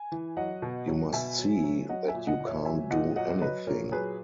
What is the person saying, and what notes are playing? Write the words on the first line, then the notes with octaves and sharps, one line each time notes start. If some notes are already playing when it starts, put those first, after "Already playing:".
You must see that you can't do anything.
Already playing: G#5
E3
F#3 D#5 F#5
B2
F#3
B2 E5 G#5
F#3
F#3
F#3 D#5 F#5
E5 G#5
A#2
D#5 F#5
A#2
C#5 E5
F#3 E5 G#5
A#2 D#5 F#5
F#3 D#5 F#5
F#3 B4 D#5
A#2 A#4 C#5
F#3 G#4 B4